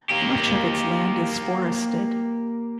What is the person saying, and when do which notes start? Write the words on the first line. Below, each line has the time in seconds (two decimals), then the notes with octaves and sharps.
Much of its land is forested.
0.10 A#3 G4